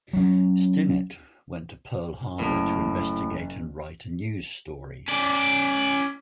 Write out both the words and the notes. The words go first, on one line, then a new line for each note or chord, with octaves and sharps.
Stinnett went to Pearl Harbor to investigate and write a news story.
F#3 C#4
F#1 A2 A#3
C#4 D5